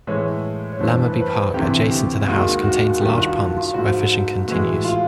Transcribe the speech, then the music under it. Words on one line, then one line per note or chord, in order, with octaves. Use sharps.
Lamorbey Park adjacent to the house contains large ponds where fishing continues.
A2 E3 G#3 C#5
C#5
G2 E3 A3 C5
B4
C5
B4
C5
D2 C3 E3 G4
G4
D#2 D#3 G#3 F#4
F#4
G2 D#3 G3 G4
F4
F#4
F4
F4
G#2 F3 A3 F#4
A2 E3 G#3 F#4
F4